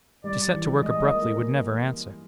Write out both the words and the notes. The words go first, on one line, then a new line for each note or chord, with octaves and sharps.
To set to work abruptly would never answer.
G3 D5
E3
G#3 D#5
A#3
A#3